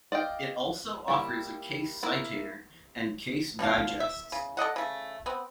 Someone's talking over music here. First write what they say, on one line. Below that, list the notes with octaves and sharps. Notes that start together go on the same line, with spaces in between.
It also offers a case citator and case digests.
D5 D#5 F5 G5
G3 A#3 E4
A#3 E4 A#4
B2 D4 F4 F5
E5
C#3
A4 D5 D#5 F#5
C#3 A3
B3 C4